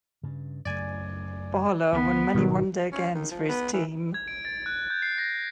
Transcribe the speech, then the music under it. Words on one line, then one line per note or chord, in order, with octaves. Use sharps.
Barlow won many one-day games for his team.
G2 C#3
F#2 C#3 A3 D5 G#5
D2 B3
G#1 B2 D#3 F#3
C#4
D#3
F3
B3
E3
G#6
D7
A6
F#6
G6
C7
A#6